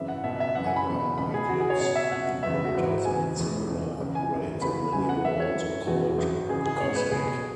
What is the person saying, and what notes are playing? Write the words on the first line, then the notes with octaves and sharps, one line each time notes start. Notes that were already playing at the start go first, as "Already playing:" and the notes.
Other markets' importers made similar upgrades and many were also called "Cossack".
Already playing: G#1 F#2 C#3 E3 E5
F#5
C#2 B2 E5
E5
F#1 F#2 E3 F#5
G#5
B5
F#1 E2 B2
C#2 B2 B5
G#4
C#2 C#3 E3 F#4
G#4
C#5
C#2 B2 C#5
E5
C#2 B2 F#5
F#1 E2 C#3 E3 E5
B4
F#4
G#1 G#2 E3
C#2 C#3 E3 G#5
E1 E2 E3
C#2 B2
C#2 C#3 E3
G#5
G#1 F#2 E3
F#1 E2 E3 B5
C#2 C#3 E3 G#5
F#5
E1 E2 B2 E5
C#5
G#1 F#2 E3
E1 E2 C#3 E3 F#4
G#1 F#2 E3
C#2 C#3 E3 G#4
G#4
C#2 B2 C#5
B4
B1 B2 G#4